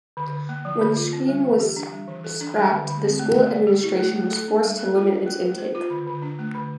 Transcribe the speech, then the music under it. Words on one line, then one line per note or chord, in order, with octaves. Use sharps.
When the scheme was scrapped, the school administration was forced to limit its intake.
D3
D3
A#3
F3
D3
F4
C4
G3
E3
G4
D4
G3
E3
A4
D4
G3
D3
D3
C4
A3
A3
D5
G4
E4
A3
A3
A4
D4
G3
A4
F4
D4
A#3
A#3
C5
F4
D3
D3
D4
A3
D3